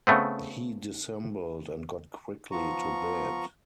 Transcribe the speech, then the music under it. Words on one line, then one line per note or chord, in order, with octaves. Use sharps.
He dissembled, and got quickly to bed.
C#3 A3 B3 C4
F3 B3 F4 A#5 C#6